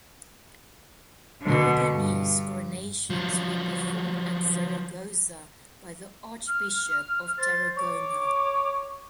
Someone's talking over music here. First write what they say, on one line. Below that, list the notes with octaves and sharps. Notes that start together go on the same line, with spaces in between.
Aragonese coronations were performed at Zaragoza by the Archbishop of Tarragona.
B2 D3
G2
F3 F#3
F6
C5 A6
C#5 D6